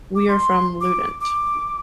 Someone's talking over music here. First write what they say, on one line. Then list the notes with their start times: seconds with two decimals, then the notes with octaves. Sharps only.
We are from Lludient.
0.16 D6
0.29 C6
0.81 D6
1.21 D6